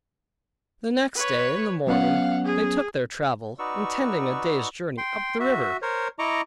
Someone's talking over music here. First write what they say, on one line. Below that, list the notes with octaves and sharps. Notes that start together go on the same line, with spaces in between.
The next day in the morning they took their travel, intending a day's journey up the river.
B4 C#5
F#3 B3 C#4 F5 F#5
G#4
D#4 F#4 B4 D5 C#6 E6
G5 C6
F#4 E5
A#4 C5 C#5
E4 D#5 A#5 C#6 D6